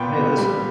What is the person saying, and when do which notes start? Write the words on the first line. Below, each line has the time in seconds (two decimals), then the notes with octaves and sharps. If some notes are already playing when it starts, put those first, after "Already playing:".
Hey listen
Already playing: A#2 B3 G5
0.13 B3
0.38 G3